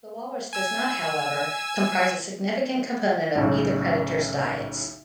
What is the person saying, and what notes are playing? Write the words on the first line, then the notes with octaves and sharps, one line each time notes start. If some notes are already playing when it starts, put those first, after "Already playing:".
The walrus does not, however, comprise a significant component of either predator's diets.
G#5 E6
B1 A2 C#3